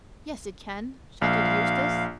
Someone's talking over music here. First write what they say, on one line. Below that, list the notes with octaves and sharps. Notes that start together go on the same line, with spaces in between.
"Yes, it can," shouted Eustace.
A#1 F5